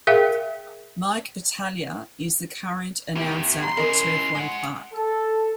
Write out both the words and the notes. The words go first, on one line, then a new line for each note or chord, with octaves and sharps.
Mike Battaglia is the current announcer at Turfway Park.
G#4 A#4 E5 F5 G5
E2 E4 G4
A#5 C6
C#4 E4 A#4 D#5
G#3 F#5
A4